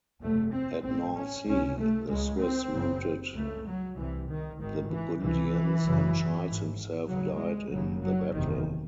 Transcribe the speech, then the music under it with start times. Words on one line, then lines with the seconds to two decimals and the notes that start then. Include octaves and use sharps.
At Nancy, the Swiss routed the Burgundians, and Charles himself died in the battle.
0.22 F#1 E2 C3 A3
0.53 C4
0.84 A1 A2 C4
1.16 C#4
1.47 C#2 C3 C#4
1.79 A3
2.09 C#2 C#3 G#3
2.41 C4
2.73 F#1 F#2 C#3
3.35 C#2 C#3 A3
3.66 F#3
3.97 C2 C3 E3
4.29 D#3
4.59 G#1 G#2 D#3
4.90 E3
5.22 C#2 C3 E3
5.84 G#1 F#2 C#3
6.47 G#1 G#2
7.09 D#2 C#3 F#3
7.41 G#3
7.72 F#1 F#2 C#3 F#3
8.03 F#3
8.35 F#1 E2 C3 D#3